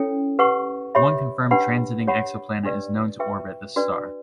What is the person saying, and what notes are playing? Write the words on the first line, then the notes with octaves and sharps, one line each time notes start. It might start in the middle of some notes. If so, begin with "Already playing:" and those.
One confirmed transiting exoplanet is known to orbit this star.
Already playing: C#4 E4 A4 C#5 G5
G4 B4 F#5 C#6
G4 C#5 E5 B5
D4 G4 B4 F#5 B5
G4 C#5 F#5 B5
D4 G4 B4 D5
F#4 B4 E5 G5 C#6
D4 F#4 B4 D5